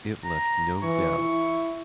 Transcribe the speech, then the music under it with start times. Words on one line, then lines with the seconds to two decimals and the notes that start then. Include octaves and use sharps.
It left no doubt.
0.24 A#5
0.83 E3 C#6
1.18 E4